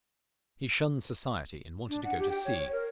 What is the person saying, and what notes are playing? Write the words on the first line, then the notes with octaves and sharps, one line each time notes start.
He shunned society and wanted to go to sea.
D4
F#5
G4
G5
C#5
C#5
A#4